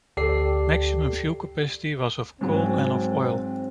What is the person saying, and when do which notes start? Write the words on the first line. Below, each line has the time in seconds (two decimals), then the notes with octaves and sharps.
Maximum fuel capacity was of coal and of oil.
0.17 D2 G4 A4 D5 C7
2.41 G#2 F#3 C4